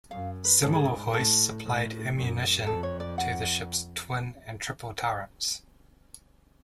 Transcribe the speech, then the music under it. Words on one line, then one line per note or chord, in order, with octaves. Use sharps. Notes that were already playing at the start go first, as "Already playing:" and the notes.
Similar hoists supplied ammunition to the ships' twin and triple turrets.
F#2 F5
B4
G#2 A4
G#4
A2 A4
A2
F#2
F2 A4
C#5
D5
F#5